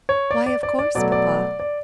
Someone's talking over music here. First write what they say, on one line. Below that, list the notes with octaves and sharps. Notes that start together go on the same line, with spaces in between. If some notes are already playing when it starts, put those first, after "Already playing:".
"Why of course, papa?"
C#5
D5
D5
D5
D5
B2 F#3 A3 D5
D5
D5